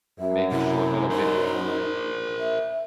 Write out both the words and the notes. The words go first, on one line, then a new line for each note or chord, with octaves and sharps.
make a short little video on it.
F#2 E5
C3 E4
D#4 A#4 C5
E5